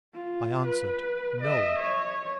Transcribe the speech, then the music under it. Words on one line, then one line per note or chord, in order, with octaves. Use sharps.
I answered, No.
F4
B4
D#5 E5
C#5